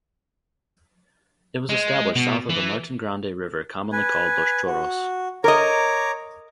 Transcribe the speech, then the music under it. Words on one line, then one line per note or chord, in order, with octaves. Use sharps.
It was established south of the Martin Grande river commonly called Los Chorros.
G#3
B2
E3
B4 G#5
F#4
A#4 C#5 D#5 A#5 D6